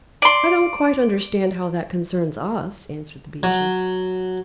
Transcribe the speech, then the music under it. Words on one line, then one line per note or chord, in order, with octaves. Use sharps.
"I don't quite understand how that concerns us," answered the Beeches.
D5 C6
F#3